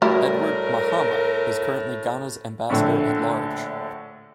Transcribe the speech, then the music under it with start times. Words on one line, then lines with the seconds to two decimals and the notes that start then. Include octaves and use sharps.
Edward Mahama is currently Ghana's Ambassador-at-Large.
0.02 A2 G3 A3 E4 F#4 A#4
2.70 A#1 A2 D3